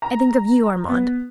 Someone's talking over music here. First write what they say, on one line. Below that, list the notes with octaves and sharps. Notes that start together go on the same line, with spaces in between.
I think of you, Armand.
A#5
B3